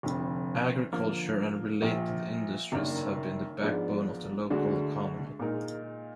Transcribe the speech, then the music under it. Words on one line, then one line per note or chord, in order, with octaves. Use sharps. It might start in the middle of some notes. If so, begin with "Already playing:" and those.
Agriculture and related industries have been the backbone of the local economy.
F1 F2 D3
D3 F3 A#3
A#1 A#2 F3
F#1 F#2 D#3 A#3 D4
G#2 F3 G#3 B3 D4
D2 D3 G#3 D4 F#4
A#2 G#3 D#4 A#4